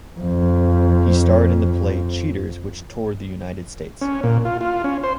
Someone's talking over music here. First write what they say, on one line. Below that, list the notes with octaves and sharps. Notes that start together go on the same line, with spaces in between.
He starred in the play "Cheaters", which toured the United States.
F2 F3
C#4
A#2
F4
F4
C#4
C5